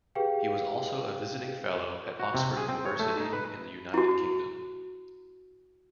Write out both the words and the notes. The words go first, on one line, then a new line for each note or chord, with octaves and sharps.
He was also a visiting fellow at Oxford University in the United Kingdom.
G4 G#4 B4 F5 G5
F#4
C3
G#4
C4
C#5
A3
D#4
B4
E4 F#4